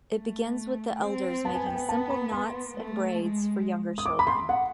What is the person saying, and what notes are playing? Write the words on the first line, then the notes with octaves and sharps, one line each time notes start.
It begins with the elders making simple knots and braids for younger children.
A3
C4
B3 A5
G#5
G5
G#5
A5
B5
C6
A3
G#3
D#6
D6
B5
C6
F#5